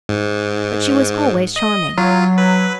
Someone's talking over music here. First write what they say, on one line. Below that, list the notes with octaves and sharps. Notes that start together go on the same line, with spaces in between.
But she was always charming.
G#2
D#5
F#3 F4
B4